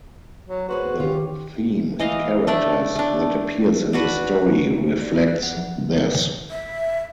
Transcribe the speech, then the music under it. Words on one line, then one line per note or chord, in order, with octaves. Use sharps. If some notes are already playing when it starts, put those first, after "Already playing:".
The theme and characters that appears in the story reflects this.
F#3
F#4 G#4 B4 C5
D#3 C#4 F4 G4
E3 D#5 F5
A3 D4 D5 E5
A3 D4
D4 F#4 B4
D5
F4
F#6
F#5
F3
E5